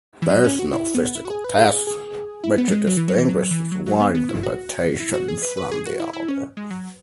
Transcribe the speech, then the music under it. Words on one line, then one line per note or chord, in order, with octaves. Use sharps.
There is no physical test which distinguishes one interpretation from the other.
E3
F#3
C#4
F#4
E4
B3
E4
F#4
G#4
B4
G#4
G#4
G#4
E4
B3
F#3
G#3
F#3
E3
F#3
E3
F#3
E3
F#3
F#3
B3
B3
E4
F#4
E4
F#4
G#4
B4
B4
G#4
F#4
E4
E4
C#4
G#3
F#3